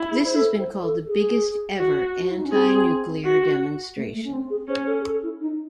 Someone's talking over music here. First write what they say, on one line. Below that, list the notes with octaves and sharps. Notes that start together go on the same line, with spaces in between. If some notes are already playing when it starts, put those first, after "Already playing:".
This has been called the "biggest ever anti-nuclear demonstration".
Already playing: E4
G#4
C5
A4
C5
A4
G#4
F#4
F#4
E4
D#4
C#4
C4 G#4
F#4
A3
A3
C#4
C4
G#4
C#4 C5
A4
G#4
A4
E4
D#4